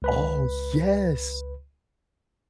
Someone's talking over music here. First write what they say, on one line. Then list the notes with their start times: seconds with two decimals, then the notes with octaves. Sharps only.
Oh, yes!
0.02 C#2 B4 B5